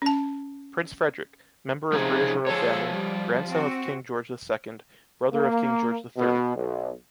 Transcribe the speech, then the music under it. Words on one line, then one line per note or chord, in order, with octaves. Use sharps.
Prince Frederick, member of British Royal Family, Grandson of King George II, brother of King George III.
C#4 A5
C3 F3 D#4 G#4
F3 G#3 G#4 A4 C#5
G3
C4 F#4
A#3
B2
B1